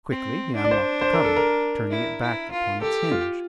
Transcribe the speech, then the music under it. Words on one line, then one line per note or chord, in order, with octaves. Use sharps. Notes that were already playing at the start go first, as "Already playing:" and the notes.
Quickly he unlocked the cover, turning it back upon its hinge.
C4
D4
D5
C5
C5
A#4
A4
A#4
E4
E4
F4
G4 A4
F4